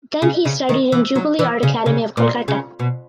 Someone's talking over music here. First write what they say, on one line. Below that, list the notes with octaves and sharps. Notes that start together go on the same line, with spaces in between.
Then he studied in Jubilee Art Academy of Kolkata.
C#3
C#3
D#3
E3
F#3
E3
C#3
C#3
A#2
C#3
B2